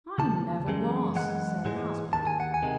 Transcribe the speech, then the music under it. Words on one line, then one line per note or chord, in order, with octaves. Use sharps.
"I never was," said her husband.
D#2 C#3 A5
F#2 C#3 E3 G#3
F#2 E3 G#3 F#5
G#2 E3 G#3
D#2 D#3 A5
G#5
F#5
G#5
C3 D#3 G#3